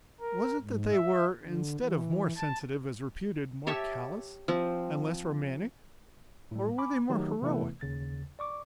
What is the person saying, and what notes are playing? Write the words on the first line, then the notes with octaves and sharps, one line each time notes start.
Was it that they were, instead of more sensitive, as reputed, more callous, and less romantic; or were they more heroic?
A#4
G#2
E5
D3
E3
A5
G4 C#5 E5 A5
F3 C4
A2 G3
G#5 B5 D6
D#3 F#3 A3 D#4 G4
C3 E3 A3 B3 E4 B4
D#2 C#3 A6
D5 C#6 D6